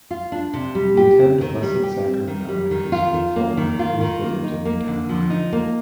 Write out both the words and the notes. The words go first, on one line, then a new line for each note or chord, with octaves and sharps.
He attended Blessed Sacrament elementary school followed by a brisk visit to Newtown High.
F4
D4
C3
G3
G4
C4
D#3
G3
G4
C4
D#3
G3
D#3
F4
D#3
A#3
D#3
F4
D#3
A#3
D#4
A#3
D3
F3
D#4
A#3